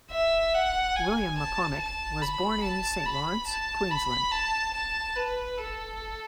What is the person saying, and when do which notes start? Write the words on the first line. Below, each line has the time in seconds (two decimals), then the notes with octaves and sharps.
William McCormack was born in St Lawrence, Queensland.
0.11 E5
0.54 F#5
0.96 G#5
1.38 A5
1.79 A5
2.22 B5
2.63 A5
3.06 B5
3.47 A5
3.91 B5
4.32 A5
4.74 A5
5.16 B4
5.58 A4